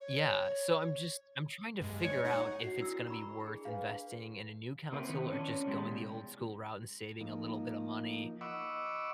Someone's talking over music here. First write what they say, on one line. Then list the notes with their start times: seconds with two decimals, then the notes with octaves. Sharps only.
Yeah. So, I'm just I'm trying to figure out if it's gonna be worth investing in a new console or just going the old school route and saving a little bit of money.
0.01 C#5
1.81 G2 G#3
2.05 G#3 C#5
2.25 D#4 F#5
2.62 F#4 C7
2.80 D4 E4 A#4 E6
3.07 A#5 B5 C#6
3.47 G#4
3.65 D4 B4 F5
4.92 C3 A#3 C4 B4
5.06 D#3 F3 B3 C4
5.30 C#4 D4 B4
5.67 B2 G3 G#3
7.21 F3 A#3 D#4
8.41 D#5 F#5 B5 C#6 D6 E6